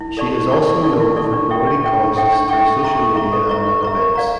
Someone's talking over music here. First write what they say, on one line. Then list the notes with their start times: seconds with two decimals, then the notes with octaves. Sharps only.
She is also known for promoting causes through social media and at events.
0.01 E4
0.17 A4 D5 A5 C#6
0.34 E4
0.50 A4 D5 A5 C#6
0.67 E4
0.84 A4 D5 A5 C#6
1.00 E4
1.16 A4 D5 A5 C#6
1.33 D4
1.49 A4 E5 G5 C#6
1.67 D4
1.83 A4 E5 G5 C#6
2.00 D4
2.16 A4 E5 G5 C#6
2.33 D4
2.49 A4 E5 G5 C#6
2.67 A4
2.83 E5 A#5 C#6
2.99 A4
3.16 E5 A#5 C#6
3.33 A4
3.49 E5 A#5 C#6
3.66 A4
3.83 E5 A#5 C#6
3.99 A#4
4.15 D5 F5 A#5